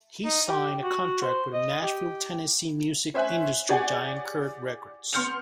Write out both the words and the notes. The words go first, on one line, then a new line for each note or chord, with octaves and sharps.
He signed a contract with Nashville, Tennessee, music industry giant Curb Records.
D#4
G4
F#4
C5
D#5
G4
C#4 C5 E5 G#5 F#6
G4 G#4 C#5 D5 F#5 G#5
B3 C6 F6 G6 C#7 F7